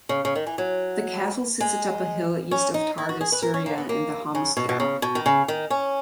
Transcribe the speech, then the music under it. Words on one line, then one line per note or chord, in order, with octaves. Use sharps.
The castle sits atop a hill east of Tartus, Syria, in the Homs Gap.
C#3
C#3
D#3
E3
F#3
G#3
C#4
D#4
E4
F#4
G#4
B4
A#4
C#4
A#3
B3
A#3
C#3
B2
B2
C#3
B2
D#3
C#3
D#3
C#4